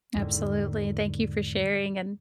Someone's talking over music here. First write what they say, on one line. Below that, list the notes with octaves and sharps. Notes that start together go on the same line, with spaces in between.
Absolutely, thank you for sharing, and
E2 G#2 D3 D#3